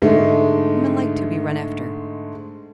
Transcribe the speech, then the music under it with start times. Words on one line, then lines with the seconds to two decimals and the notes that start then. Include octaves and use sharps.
Women like to be run after.
0.02 G#2 D3 G#3 A3